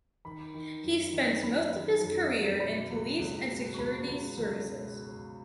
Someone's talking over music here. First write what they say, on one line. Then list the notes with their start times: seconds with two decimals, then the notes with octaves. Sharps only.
He spent most of his career in police and security services.
0.25 D#3 B5
0.54 D#3
0.84 F#2
1.13 D#3
1.43 F#2 B5
1.72 D#3
2.02 F#2
2.32 F#2
2.60 B2 B5
2.90 C#2
3.19 C#2
3.48 B2
3.74 C#6
3.78 C#2 B5
4.07 C#2
4.37 C#2
4.66 B2